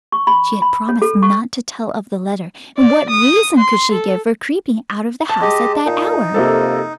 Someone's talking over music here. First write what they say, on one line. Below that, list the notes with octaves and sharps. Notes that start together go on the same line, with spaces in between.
She had promised not to tell of the letter, and what reason could she give for creeping out of the house at that hour?
C#6
B5
B5
C#5
A4
C#6
D5
D#6
C6
A4
A5
G#3 G4 D#5
A#2 D#4
F2 C3 A#3 A4